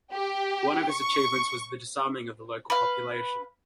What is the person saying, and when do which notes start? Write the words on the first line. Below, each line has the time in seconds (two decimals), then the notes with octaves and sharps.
One of his achievements was the disarming of the local population.
0.12 G4
0.89 C#6
2.70 B4 F5